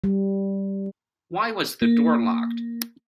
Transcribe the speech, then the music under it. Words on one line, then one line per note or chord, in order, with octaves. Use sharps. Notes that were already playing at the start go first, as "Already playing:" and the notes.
Why was the door locked?
G3
A#3